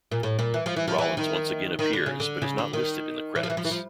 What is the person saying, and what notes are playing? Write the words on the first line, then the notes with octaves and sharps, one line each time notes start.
Rollins once again appears but is not listed in the credits.
A#2
A2
A#2
E3
F3
E3
F3
E3
D#3
D#3
D3
C#3
D3
C#3
D3
D#3
E3
F3
E3
F3
E3
F3